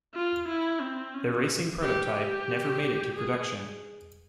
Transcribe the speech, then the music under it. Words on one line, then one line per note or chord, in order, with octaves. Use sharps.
The racing prototype never made it to production.
F4
E4
C4
C#4
G4
G4
G#4